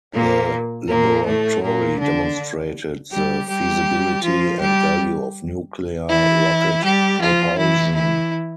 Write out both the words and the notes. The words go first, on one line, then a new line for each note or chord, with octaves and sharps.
The laboratory demonstrated the feasibility and value of nuclear rocket propulsion.
A#2 A#3
A#2 A#3
A2 A3
A#2 A#3
D3 D4
G3 G4
G3 G4
F3 F4
G3 G4
E3 E4
G3 G4
F3 F4
E3 E4
E3 E4